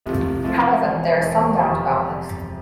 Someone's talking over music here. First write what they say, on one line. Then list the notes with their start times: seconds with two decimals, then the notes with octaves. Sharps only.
However, there is some doubt about this.
0.06 C2 C3 F3 A3
0.44 C2 C3 F3 A3
0.83 E1 E2 E3
1.21 E1 E2 E3
1.59 F2 C3 F3